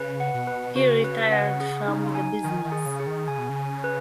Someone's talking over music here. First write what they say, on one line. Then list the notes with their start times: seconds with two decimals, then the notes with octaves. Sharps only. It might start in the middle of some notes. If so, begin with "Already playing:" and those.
He retired from the business.
Already playing: C#3 B4
0.20 F#5
0.34 B2
0.47 B4
0.75 C#3 F#4
1.04 B4
1.32 F#5
1.60 G#4
1.88 D#4
2.15 G#5
2.43 D#3 G#5
2.65 D#3
2.72 G#4
2.86 C#3
3.00 G#4
3.07 D#3
3.28 C#3 G#5
3.38 B2
3.49 C#3
3.56 G#5
3.84 B4